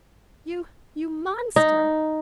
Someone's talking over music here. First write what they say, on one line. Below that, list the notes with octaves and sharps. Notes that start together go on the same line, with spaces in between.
"You--you monster!"
D#4